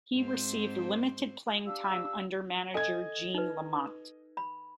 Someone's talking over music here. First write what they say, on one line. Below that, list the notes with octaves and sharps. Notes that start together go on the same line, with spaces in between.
He received limited playing time under manager Gene Lamont.
G#2 C4 C5
D4 G4 F5 E6
A4 D#5 G#5 G#6
D#4 B4
B5